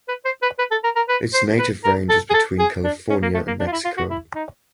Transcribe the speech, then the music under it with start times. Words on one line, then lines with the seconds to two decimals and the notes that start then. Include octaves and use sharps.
Its native range is between California and Mexico.
0.08 B4
0.25 C5
0.42 B4
0.59 B4
0.71 A4
0.84 A#4
0.96 A#4
1.09 B4
1.34 C5
1.59 B4
1.84 A#4
2.09 A4
2.30 G#4
2.34 A4
2.59 G#4
2.84 D4
3.09 C#4
3.22 A#3
3.34 A3
3.47 A#3
3.59 D4
3.67 F4
3.72 E4
3.84 F4
3.97 F#4
4.10 E4
4.35 D#4